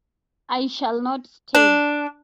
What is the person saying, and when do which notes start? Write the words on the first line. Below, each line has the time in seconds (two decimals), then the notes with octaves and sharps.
I shall not stay.
1.55 D4